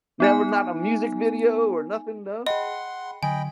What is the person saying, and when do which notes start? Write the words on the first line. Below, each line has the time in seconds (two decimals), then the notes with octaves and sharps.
Never not a music video or nothing, no?
0.20 B3 D#4 G#5
2.47 G#4 D#5 F#5 G5 B5 C6
3.23 D3 F#3 D#5 G5 G#5 B5 G#6